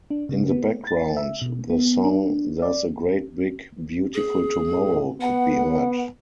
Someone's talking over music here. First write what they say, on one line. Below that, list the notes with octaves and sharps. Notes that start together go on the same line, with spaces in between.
In the background, the song "There's a Great Big Beautiful Tomorrow" could be heard.
D4
C#3
B3
A6
E5
B2
B3
D4
D5
G#4
A2
B3 F#5